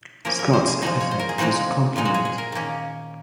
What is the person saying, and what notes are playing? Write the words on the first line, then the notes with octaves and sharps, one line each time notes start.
Scott's epithet was a compliment.
F3 A#3 C#4 A#4
A#4
C5
G#4
F3 G#3 D#4 F#4
C#5
C5
A#4
G#4
A#2 F3 G#3 C4 D#4 F#4
A#2 G#3 D#4 F4
F#4
G#4
G#4
A#4
D#3 A#3 C#4